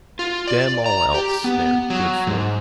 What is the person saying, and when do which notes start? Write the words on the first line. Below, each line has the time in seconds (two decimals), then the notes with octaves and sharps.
Damn all else they are good for.
0.19 F4
0.47 D5
0.86 A#5
1.14 G4
1.44 B3
1.90 F#3
2.27 G#2